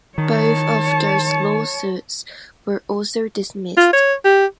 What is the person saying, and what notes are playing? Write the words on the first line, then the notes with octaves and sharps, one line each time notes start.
Both of those lawsuits were also dismissed.
D#3 C#5 A5
F4
C#5
G4